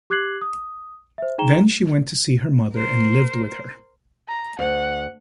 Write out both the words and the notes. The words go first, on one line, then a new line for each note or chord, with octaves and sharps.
Then she went to see her mother and lived with her.
G4 D6 F#6 G#6 C7 F#7
D#6
C5 E5
D#4 G#4 G5 A#5 E7 G7
A#4 C5
A#5
D2 F#5